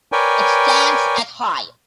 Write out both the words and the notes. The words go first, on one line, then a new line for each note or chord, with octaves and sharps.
It stands at high.
A#4 B4 C#5 D5 G5 G#5